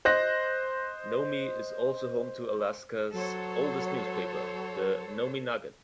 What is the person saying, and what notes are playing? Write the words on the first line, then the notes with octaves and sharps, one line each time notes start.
Nome also is home to Alaska's oldest newspaper, the "Nome Nugget".
C5 D#5 F#6 A#6
F#3 A4 C5 C#5